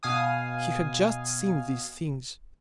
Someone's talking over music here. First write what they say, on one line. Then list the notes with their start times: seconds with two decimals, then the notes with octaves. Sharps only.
He had just seen these things.
0.03 B2 F5 G#5 D#6